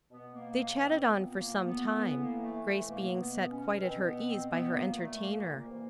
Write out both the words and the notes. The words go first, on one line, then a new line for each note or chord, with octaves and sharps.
They chatted on for some time, Grace being set quite at her ease by her entertainer.
B2 B3
A#3
A#3
C4
A#2 B3
A#3
B3
A2 E3 B3
A#3
A3
A3
B2 A#3
B3
C#4
B2 C4
B3
C4
B3
A#2 A#3
A3
A#3
A#3
C3 E3